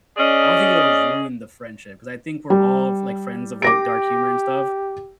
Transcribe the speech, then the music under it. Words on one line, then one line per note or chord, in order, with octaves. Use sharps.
I don't think it would have ruined the friendship because I think we're all, f like, friends of, like, dark humor and stuff.
C#4 G#4 D5 D#5
G3
G4 D6 A#6 D7